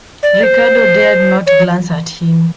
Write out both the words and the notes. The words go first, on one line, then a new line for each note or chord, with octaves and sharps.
Ricardo dared not glance at him.
D5
C5
C#5